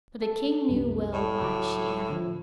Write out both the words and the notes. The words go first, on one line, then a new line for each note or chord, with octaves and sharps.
But the King knew well why she asked.
A4
C2 F#2 G3
A2
C#2 F#3 D6
D3 F3